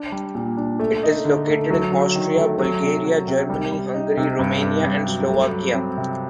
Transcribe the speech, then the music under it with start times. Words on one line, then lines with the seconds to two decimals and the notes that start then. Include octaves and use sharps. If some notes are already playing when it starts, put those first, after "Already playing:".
It is located in Austria, Bulgaria, Germany, Hungary, Romania and Slovakia.
Already playing: D4
0.12 G3
0.35 A#2
0.57 D4
0.79 A3
1.03 D#4
1.25 D3
1.48 A3
1.70 F#3
1.92 F#3
2.15 D#3
2.38 A3
2.59 F#3
2.83 C3
3.05 F#3
3.28 C3
3.50 G3
3.72 G3
3.94 D#4
4.17 C3
4.39 G2
4.63 G2
4.84 G2
5.07 F#3
5.29 A3
5.52 F#3
5.74 C4
5.98 C3